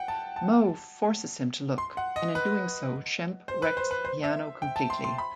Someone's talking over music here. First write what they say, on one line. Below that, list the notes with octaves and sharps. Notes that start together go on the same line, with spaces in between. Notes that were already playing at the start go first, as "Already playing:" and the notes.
Moe forces him to look, and in doing so Shemp wrecks the piano completely.
Already playing: F#5 G5
A5
A5
C6
F#5
D#5
B4
C5
B4
C5
B4
C5
E5
G5
A5
C6
C6
B5